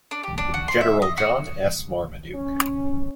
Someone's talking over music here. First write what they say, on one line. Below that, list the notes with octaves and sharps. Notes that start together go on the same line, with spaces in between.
General John S. Marmaduke.
D4
G4
D4
F#4
C6
E5
D#5
F#4
C#4